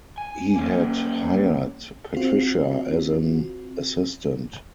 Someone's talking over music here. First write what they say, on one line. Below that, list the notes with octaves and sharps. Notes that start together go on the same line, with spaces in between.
He had hired Patricia as an assistant.
G#5
A#3 C#4
C4 F4 F#4